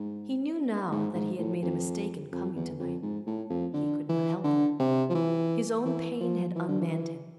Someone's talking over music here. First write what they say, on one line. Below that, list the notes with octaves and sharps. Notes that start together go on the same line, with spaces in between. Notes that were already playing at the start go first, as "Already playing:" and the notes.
He knew now that he had made a mistake in coming tonight; he could not help her. His own pain had unmanned him.
Already playing: G#2
G#2
G#2
A2
F2
F2
E2
F2
G#2
A2
F2
D3
E3
D3
C3
F3
E3
E3
F3
E3
D3
E3